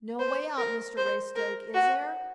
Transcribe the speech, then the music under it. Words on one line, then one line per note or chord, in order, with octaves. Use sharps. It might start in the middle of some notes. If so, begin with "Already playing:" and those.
"No way out, Mr Raystoke, is there?"
C5
A#4
C5
A#4
F#4